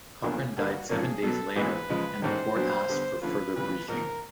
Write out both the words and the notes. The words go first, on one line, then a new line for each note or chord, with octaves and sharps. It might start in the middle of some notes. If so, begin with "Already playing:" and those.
Cochran died seven days later and the court asked for further briefing.
B1 A#2 F3 A#3 C#4 D4
G2 D3 G3 A#3 D#4 F#4
G#1 G#2 F3 A#3 C#4 G#4
B2 F#3 B3 A4
A#1 G#2 E3 G#3 B3 B4
C#3 F3 G#3
A1 G#2 D#3 C5
A#2 F#3 B3 D4 F#4
D3 G3 B3
D3 F3 A3 C#4 F4 B4
F2 C#3 E3 G3 B4
G#2 F3 G#3 A#4